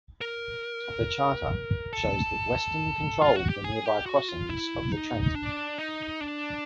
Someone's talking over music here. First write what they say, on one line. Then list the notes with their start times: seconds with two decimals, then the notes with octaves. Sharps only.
The charter shows that Weston controlled the nearby crossings of the Trent.
0.21 A#4
1.93 A4
3.22 F4
3.36 F#4
3.49 G4
3.64 G#4
3.86 G4
4.06 F#4
4.28 F4
4.49 E4
4.92 D#4
5.35 D4
5.78 D#4
6.21 D4